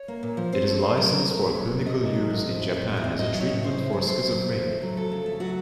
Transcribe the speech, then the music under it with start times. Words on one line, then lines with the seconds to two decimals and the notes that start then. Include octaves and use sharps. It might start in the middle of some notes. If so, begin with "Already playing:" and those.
It is licensed for clinical use in Japan as a treatment for schizophrenia.
Already playing: C#5
0.08 A#3
0.23 A#2
0.37 F3
0.52 C4 C5
0.67 A3 C#5
0.80 A#2 C5
0.97 F#3 A#4
1.11 C4
1.19 A#4
1.26 A3
1.41 A#2 C#5
1.57 F#3
1.71 C4
1.85 A3 D#5
2.00 A#2
2.15 F#3
2.30 A2
2.45 C4
2.59 A2
2.74 F#3 C#5
2.89 A2
2.97 D#5
3.04 C4
3.18 A2 D#5
3.34 F#3
3.40 C#5
3.49 A2
3.63 C4 C5
3.77 A2
3.93 F#3
4.07 A3 C5
4.22 F#3
4.38 F2
4.52 C#3
4.66 A3
4.82 F#3
4.96 F2 A4
5.11 C#3
5.26 A3
5.40 F#3 F#4